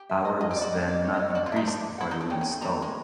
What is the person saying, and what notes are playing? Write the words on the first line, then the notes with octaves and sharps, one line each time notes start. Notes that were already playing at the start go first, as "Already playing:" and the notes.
Power was then not increased before the wings stalled.
Already playing: G4
E5
D#5
G#4 D#5
G4
D5
F#4
D#5
D5
C#5
D#5
D5
C#5
F#4 D5
F4
D4 E5
D#4
D4
E4 F#5
D#4
D4
C#4 G5
C#4
A3
G3 A#5
G#3